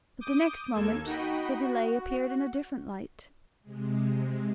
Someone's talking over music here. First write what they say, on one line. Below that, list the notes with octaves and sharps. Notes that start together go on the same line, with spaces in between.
But the next moment, the delay appeared in a different light.
D6 D#6 G6 D#7
D#2 A#3 A4 G#6 E7
D#4 F#4 D#5 G5 B5
F#4
C3 G#3